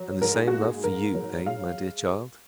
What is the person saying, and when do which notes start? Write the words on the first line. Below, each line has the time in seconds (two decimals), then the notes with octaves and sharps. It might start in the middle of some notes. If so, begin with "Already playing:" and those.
"And the same love for you--eh, my dear child?"
Already playing: F#3
0.21 G#2 A#4
0.35 G#4
0.48 F#4
0.53 A#3
0.61 G#4
0.84 G#2 A#4
1.15 F#3
1.46 G#3 F5